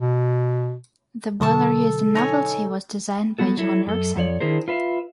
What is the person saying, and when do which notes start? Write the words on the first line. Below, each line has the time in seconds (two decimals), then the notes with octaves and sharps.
The boiler used on "Novelty" was designed by John Ericsson.
0.01 B2
1.41 B2 D3 F#3 A4 A5 C#6 D#6
2.15 D#4 C#5 G#5
3.38 G3 B3 F#4 A4
3.57 F#3 E4 A4
3.87 F#2 A4
4.16 F2 A4 C#5 D5
4.40 D#3 D4 E4 G#4 A#4 C5
4.68 F4 B4 E5 F5